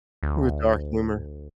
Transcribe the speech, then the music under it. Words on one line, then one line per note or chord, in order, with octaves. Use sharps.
With dark humor.
D2